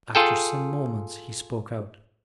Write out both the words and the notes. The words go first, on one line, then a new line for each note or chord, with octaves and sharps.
After some moments he spoke out.
F4 G#4 A4 G5